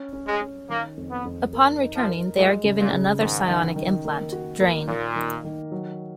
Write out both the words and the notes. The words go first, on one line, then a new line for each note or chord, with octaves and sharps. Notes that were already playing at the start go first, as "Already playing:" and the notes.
Upon returning, they are given another psionic implant, drain.
Already playing: C#4
C#4
G#3
C#4
D#3 A#3
F2
B3
F2
A#4
D#4
F3
A#4
A#2 G#3
C#3
A#2
C#3
G#2 D#3
D#3
D#3
A#3
F#4
A#3
A#2 D#3
D#3
D#3
F#3